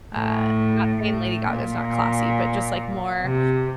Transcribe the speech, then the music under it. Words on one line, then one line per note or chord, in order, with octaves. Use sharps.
Uh not saying Lady Gaga's not classy, but just, like, more,
A2
A2
A#2
C3